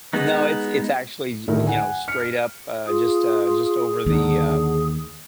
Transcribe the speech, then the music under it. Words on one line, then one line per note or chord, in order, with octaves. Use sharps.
No, it's it's actually, y you know, straight up, uh, just, uh, just over the, uh,
G#3 B3 D#4
D1 D2 D#3 A3 E4 A#4
F#5 G#5
F6 B6 C#7
F6
F4 G#4
D#2 D3